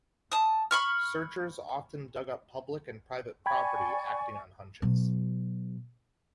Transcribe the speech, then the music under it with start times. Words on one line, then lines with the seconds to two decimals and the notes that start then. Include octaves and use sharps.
Searchers often dug up public and private property acting on hunches.
0.32 A5 D#6
0.71 B5 C#6 F6
3.46 D5 G5 G#5 B5 C#6 G#6
4.82 B2 F#3